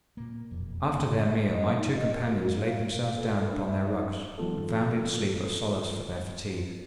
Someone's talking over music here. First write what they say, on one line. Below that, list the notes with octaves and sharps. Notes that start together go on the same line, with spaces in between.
After their meal my two companions laid themselves down upon their rugs, and found in sleep a solace for their fatigue.
A#2 A#3
E1 F2
F#1 F2 C#3 A#3
D#5
D#4
D#5
A#4
F#4
G#3
F5
A4
A4
D4
E5
D#4
D#3 F3 G3 B3 F4 A4